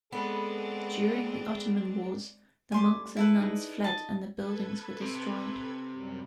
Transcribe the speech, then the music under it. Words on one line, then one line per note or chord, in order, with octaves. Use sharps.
During the Ottoman wars the monks and nuns fled and the buildings were destroyed.
G#3 A3 B3 C4 D4 G#4 A4 B4
G3 A3 G#5 C6 D6
E4 A4 B4
D4 D#4 G#4
D#5 A5
A4 B4 G#6
C3
F#2 G3